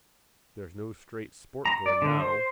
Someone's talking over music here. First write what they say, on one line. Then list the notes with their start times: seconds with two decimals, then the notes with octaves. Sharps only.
There's no straight sport going now.
1.66 A#5
1.86 D5
2.02 D3
2.20 C5